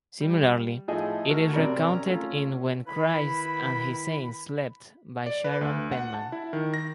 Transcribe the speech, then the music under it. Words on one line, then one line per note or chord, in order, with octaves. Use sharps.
Similarly, it is recounted in "When Christ and his Saints Slept" by Sharon Penman.
G3
A2 F3 D#4 G#4 D#5 E5
A3 F#4 A4 A#4
C3 A#4 D5 A#5 B5
C#4 A#5
A3 C#4 F4
D#3 E4 B4 B5
D5
B4
D2
F#5
A5
E4
D#3
A#6